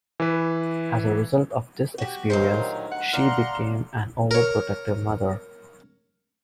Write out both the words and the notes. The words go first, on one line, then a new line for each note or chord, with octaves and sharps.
As a result of this experience, she became an overprotective mother.
E3 B4
F#4 G4
D2 A#2 D#3 F#3 D#4 A#4 C5
F#5
A3 D5 F5 A#5 C6 F6
A#4 C#5